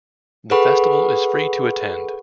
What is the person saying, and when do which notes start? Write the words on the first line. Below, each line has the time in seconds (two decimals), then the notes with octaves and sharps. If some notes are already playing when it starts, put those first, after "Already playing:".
The festival is free to attend.
0.51 G#4 A4 B4 F#5 B5 C#6